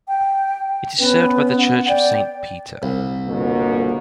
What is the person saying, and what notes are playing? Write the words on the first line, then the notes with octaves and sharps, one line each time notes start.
It is served by the Church of Saint Peter.
G5
B3 C#4 B4
F#5
D5 G5
C2
G1 B2 A#3